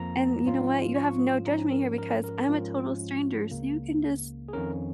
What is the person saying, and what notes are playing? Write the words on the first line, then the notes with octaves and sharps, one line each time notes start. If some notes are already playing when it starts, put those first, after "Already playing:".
And you know what? You have no judgment here because I'm a total stranger, so you can just
Already playing: F2 F3 A#3 A#5
G#2 F3 C#4 F4
C#6
G#2 F3 C#4 A#5
A#4
A#4
A#4
G#2 F3 G#3 C#4 F4
C#2 C#3 A#3
G#4
F2 D#3 C#4 A#4